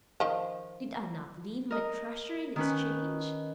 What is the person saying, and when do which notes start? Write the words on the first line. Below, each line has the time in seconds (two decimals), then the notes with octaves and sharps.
"Did I not leave my treasure in exchange?"
0.20 D#3 F3
1.71 A#4 D#5
2.56 D#3 C#4 B4